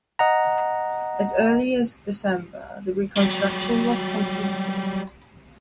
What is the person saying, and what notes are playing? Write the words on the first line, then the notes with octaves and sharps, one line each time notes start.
As early as December the reconstruction was completed.
D#5 F#5 A#5
F#3 G3